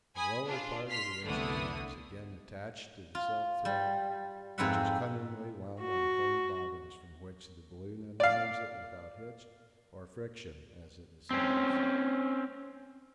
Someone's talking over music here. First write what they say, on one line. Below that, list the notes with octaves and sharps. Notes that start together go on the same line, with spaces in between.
The lower part of the instrument is again attached to the silk thread, which is cunningly wound on coned bobbins from which the balloon unwinds it without hitch or friction as it ascends.
G#5 B5 D#6
D4 F4
C6 F6 B6 C7
C2 D3 A3 B3 E4 D#6
F4
G3
F2 G#2 C4 B4 E5 F#5
F#4
D5 F5
C4 C#4